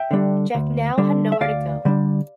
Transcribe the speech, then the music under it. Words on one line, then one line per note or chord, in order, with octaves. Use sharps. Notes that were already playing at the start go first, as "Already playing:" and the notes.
Jack now had nowhere to go.
Already playing: E5 G5
D3 G3 D4
D2
D3 G3 D4
E5
D2 D5 F5
D3 G3 D4